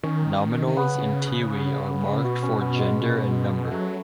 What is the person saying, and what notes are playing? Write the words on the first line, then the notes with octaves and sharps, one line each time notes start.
Nominals in Tiwi are marked for gender and number.
D#3 C#4
D#3
C#3 B3
B2 F#4
C#4
B3
G#3
F#3 A3